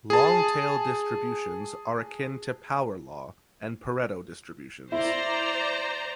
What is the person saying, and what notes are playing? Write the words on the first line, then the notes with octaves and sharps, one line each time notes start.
Long tail distributions are akin to power law and Pareto distributions.
G#4 A5
E4 C5 D5 A#5